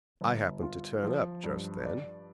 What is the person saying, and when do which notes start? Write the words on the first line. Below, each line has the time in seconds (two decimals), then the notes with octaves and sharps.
I happened to turn up just then.
0.21 G1
0.62 F4
1.03 F3
1.44 G2
1.86 D5